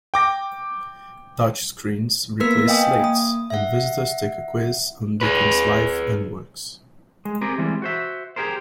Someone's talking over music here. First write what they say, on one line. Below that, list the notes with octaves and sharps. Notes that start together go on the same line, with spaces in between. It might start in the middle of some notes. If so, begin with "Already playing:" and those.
Touch-screens replace slates, and visitors take a quiz on Dickens' life and works.
G5 D6 A#6
A#3 B3 A#4 B4 E6 B6
D#5 F5 G5 G#5 D#6
A#3 D#6
E5 F#5
G#4 B4
G#3
C4 G4 G#4 A#4
E3 G3 G#3 C4
F#4 C5 E5
G4 G#4 A#4 C5